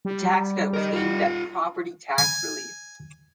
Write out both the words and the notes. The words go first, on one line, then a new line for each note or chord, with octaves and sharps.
The tax cut was aimed at property tax relief.
G3
A#4 D#5
F4 F#5
G#5